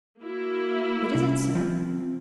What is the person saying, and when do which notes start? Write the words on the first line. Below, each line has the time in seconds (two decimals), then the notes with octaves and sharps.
"What is it, sir?"
0.22 A#3 E4 F#4
1.15 C2 C#4
1.55 F3 C4